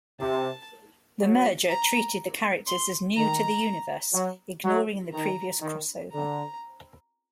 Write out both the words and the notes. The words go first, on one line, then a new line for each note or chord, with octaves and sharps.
The merger treated the characters as new to the universe, ignoring the previous crossover.
C3 A5
F#3
A#5
C6
D#3 A#5
F#3
F#3
D#3 A#5
D#3
D3 A#5